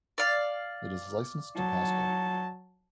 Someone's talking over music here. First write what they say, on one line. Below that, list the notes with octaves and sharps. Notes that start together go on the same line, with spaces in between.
It is licensed to Pasco.
D5 F5
F#3 A5